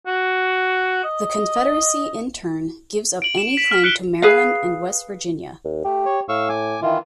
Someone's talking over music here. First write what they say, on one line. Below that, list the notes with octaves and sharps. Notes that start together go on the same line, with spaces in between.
The Confederacy, in turn, gives up any claim to Maryland and West Virginia.
F#4
D#5
D7 F#7
E7
B6
F6
F#6 C#7 D7 G7
G#4 B4 F5
D#2
A3 G4
C#5
A2 F5 C#6 E6
G#5 D6
D#3 E3 E4 F4